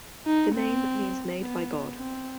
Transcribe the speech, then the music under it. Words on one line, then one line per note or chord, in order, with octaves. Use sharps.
The name means made by God.
D#4
C4
B3
C4